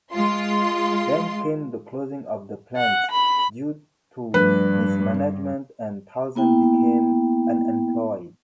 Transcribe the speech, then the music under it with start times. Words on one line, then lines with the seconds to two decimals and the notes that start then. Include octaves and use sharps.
Then came the closing of the plant due to mismanagement and thousands became unemployed.
0.12 G#3 F4 C6
2.77 F#5
3.11 B5
4.34 G2 F3 A3 D4 B4
6.35 A#3 B3 E4 G5